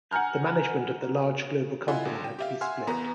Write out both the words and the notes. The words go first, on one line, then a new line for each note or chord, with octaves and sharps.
The management of the large global company had to be split.
F#5 G#5 A#5 F6 G6
E4 F4 D#5 E5 F#5 G#5
G#1 D3
G5
G4 E5 F5
E5 F#5 G#5 C6 F6
E2 B3 A#5